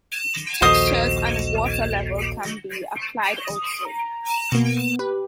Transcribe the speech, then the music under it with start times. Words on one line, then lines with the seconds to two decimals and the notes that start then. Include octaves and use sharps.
Textures and water level can be applied also.
0.62 A#1 D#2 F#4 A4 C5 D#5 D#6
3.44 D#6
3.85 A#5
4.52 B2 A#3 B3
4.99 G4 B4